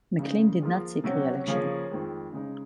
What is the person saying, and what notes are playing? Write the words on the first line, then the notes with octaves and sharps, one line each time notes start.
McLean did not seek re-election.
C#3 G#3 D#4
F3 A#3 F4 G#4
C3 F#3 C#4 F#4
C#3 F3 A#3 C#4 G#4
F2 D#3 G#3
C#3 G#3 D#4